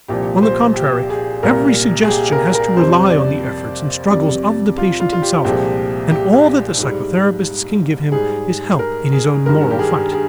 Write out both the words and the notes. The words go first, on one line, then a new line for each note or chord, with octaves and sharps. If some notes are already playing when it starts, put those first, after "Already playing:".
On the contrary, every suggestion has to rely on the efforts and struggles of the patient himself and all that the psychotherapists can give him is help in his own moral fight.
C2 A#2 F3 G4
C5
G4
G#4
C2 A#2 G3 A#4
G#4
G4
A#4
A#4
F2 C3 G3 C5
D5
F2 C3 G3 D5
F4
F4
F4
G4
C2 A#2 F3 G#3 G4
G4
G#2 G3
G#2 G3 G#4
A#4
G#4
G2 D#3 G#3 A#4
G4
G#4
G#4